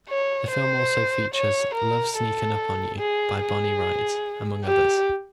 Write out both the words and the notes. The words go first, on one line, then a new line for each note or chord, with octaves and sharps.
The film also features "Love Sneakin' Up On You" by Bonnie Raitt, among others.
C#5
C5
C#5
A#4
A4
G#4
G#4
G4